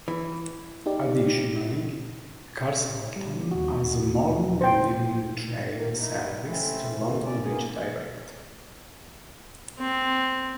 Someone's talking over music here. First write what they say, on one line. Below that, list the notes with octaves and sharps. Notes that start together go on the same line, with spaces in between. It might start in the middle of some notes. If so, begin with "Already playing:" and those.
Additionally Carshalton has morning and evening train service to London Bridge direct.
E3
D#4 G4 D5
G3
D#2 F#4
C5 G5
D#3 A#3
D#4 E4
A3 C4 C#4 E4
F#2 B2 D#3 E3
C#4 D5
A#3 B3 G#4
C4